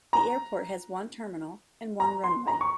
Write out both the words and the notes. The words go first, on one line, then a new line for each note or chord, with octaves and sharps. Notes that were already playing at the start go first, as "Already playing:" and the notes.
The airport has one terminal and one runway.
A#5
A#5
C6
A#5
C#6